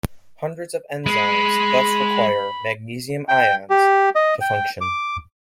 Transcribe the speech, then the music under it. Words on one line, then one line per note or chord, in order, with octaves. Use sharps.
Hundreds of enzymes thus require magnesium ions to function.
G#3 B5
G5
G4
D#5
G5
D6